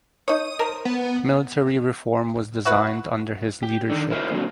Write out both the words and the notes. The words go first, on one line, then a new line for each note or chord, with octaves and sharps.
Military reform was designed under his leadership.
D#4 C#5 D#6
A#4 C5
B3
E4 F#4 B4 F#5
G4
D3 D#3
E4 A#4 C5 C#5 D#5
A#2 D3 F#3 C4